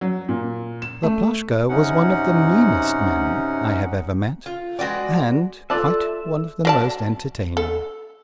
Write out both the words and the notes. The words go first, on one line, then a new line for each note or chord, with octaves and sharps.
Laploshka was one of the meanest men I have ever met, and quite one of the most entertaining.
F#3
A#2
E7
A3
F#2 C3 C#4 D#4 F#5
F4
G#3 F#4 B4 D5
F4 A4 D5 E5 A5 F#6
F#3 D5 A5
A4